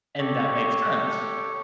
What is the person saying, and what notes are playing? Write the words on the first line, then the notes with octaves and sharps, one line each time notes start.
and that makes sense.
G4 A4 C#5